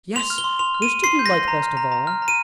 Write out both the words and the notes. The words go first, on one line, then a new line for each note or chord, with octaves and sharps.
"Yes! which did you like best of all?"
C6 F7
F6
G7
C6
C6 F7
F6
D#7
C6
C6 C7
G6
A#6
C6
A#5
F6
A#5
A#5
F6
A#5
D#7